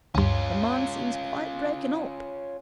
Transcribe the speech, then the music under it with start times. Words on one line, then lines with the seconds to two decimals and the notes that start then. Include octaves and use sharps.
'The man seems quite broken up.
0.15 D2 G2 C#4 F4